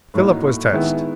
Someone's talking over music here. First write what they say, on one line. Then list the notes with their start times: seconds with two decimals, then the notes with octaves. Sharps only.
Philip was touched.
0.14 A2 F#3 A#3 D#4
0.73 D#3 G#3 B3 E4